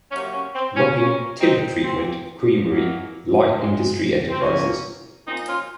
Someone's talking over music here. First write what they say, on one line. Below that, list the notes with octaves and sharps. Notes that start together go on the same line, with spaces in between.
Logging, timber treatment, creamery, light industry enterprises.
C3 F#3 A#3 C#4
C#4
C4
C#4
A#2 F3 A#3 C#4
C4 D#4
A#2 F#3 A#3 C4
F#2 D#3 F#3 A#3
A#2 G#3
C4
A#2 F#3 A#3 C#4
A#2 F3 A#3 C4 D#4
C#4 F4